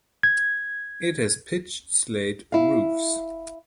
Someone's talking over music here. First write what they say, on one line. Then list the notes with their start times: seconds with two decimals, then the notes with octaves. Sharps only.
It has pitched slate roofs.
0.23 G#6
2.52 E4 F5